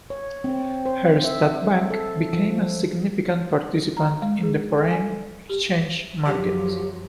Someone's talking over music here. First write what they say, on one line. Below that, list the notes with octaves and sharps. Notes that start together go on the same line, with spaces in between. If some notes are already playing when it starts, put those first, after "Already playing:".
Herstatt Bank became a significant participant in the foreign exchange markets.
C#5
C4
C5
E5
A4
F3
A#5
G#3
G#4
A4
G#5
G4
F#2 F3 F#3 G4